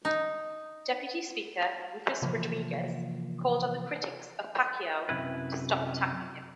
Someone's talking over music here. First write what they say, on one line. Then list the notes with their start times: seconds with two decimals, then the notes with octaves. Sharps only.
Deputy Speaker Rufus Rodriguez called on the critics of Pacquiao to stop attacking him.
0.05 D#4
2.22 C3 E3 F3 A#3
5.09 F#2 C3 E4 B4